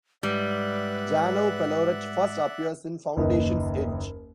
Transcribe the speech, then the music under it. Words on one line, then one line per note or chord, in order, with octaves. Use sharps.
Janov Pelorat first appears in "Foundation's Edge".
G#2 G3 B4 D5 E5 F#5
F#1 D#2 D#4 B4 D#5